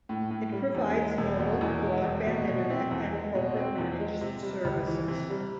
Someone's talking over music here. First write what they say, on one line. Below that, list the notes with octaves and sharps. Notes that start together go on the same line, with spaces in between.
It provides mobile, broadband internet and corporate managed services.
A2
A2
G3
E2
G#3
E1
B2
E2
G#3
E1
B2
B2
C4
E2
G#3
B2
C4
E2
G#3
C3
G3
C#2
E3
C3
G3